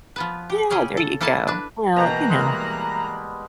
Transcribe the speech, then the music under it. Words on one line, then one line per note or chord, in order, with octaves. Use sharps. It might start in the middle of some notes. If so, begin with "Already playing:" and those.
Yeah. There you go. Well, you know,
F3 B3 B4
G4
C#3 C#4 G4 G#4
A4
A#3 E4 A4 G#5 A5
D4 B4
B2 E3 A#3 G5 A#5 F#6
G3 G#3